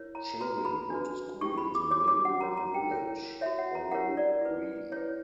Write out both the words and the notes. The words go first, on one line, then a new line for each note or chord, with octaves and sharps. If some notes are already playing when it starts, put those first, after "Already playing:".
Children go to school in the neighbouring village, Burrough Green.
Already playing: E4 A#4 C#5
A#5
F#4 B4 A#5
B5
D4 F#4 B4
C#4 E4 G4 C#6
B5
D6
F#4 C#5 D6
D6
F#5
C#4 F#4 A#4 C#5 A#5
A#5
G5
E4 A#4 C#5
F#4 C#5 E5
F#5
A#5
E4 G4 A#4 C#5 F#5
D5
E4 B4
E4 B4 C#5